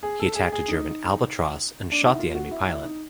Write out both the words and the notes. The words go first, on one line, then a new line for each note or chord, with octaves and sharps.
He attacked a German "Albatros" and shot the enemy pilot.
G#4
A4
G#4
G#4
D#4
D4
D#4
E4
F4
F#4
E4
E4
D#4